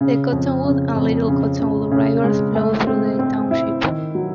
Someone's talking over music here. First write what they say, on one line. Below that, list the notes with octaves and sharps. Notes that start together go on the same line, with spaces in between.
The Cottonwood and Little Cottonwood Rivers flow through the township.
C#3
F2
C#3
F2
C#3
C#3
C#3
G#3
A3
C4
C4
E4
D#3
F#3